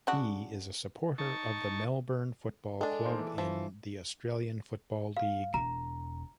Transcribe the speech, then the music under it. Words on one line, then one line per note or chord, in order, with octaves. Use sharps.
He is a supporter of the Melbourne Football Club in the Australian Football League.
C#3 D4 F#4
D#4 A5 C#6
G#3 D4 A4
G#2 A#3 C5
E3
E3 F3
F5
E1 A#5